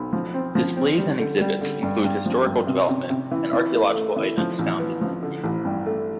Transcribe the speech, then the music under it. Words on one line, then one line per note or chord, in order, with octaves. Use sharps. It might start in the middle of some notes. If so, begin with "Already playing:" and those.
Displays and exhibits include historical development and archaeological items found in Lamphun.
Already playing: B1
F3
C4
F3
C4
G3
D3
G3
D3
G2
G2
F3
G2
C3
C3
C3
E3
E3
A3
A3
E3
F3
A1
B3
F3
D3
A1
G2
A3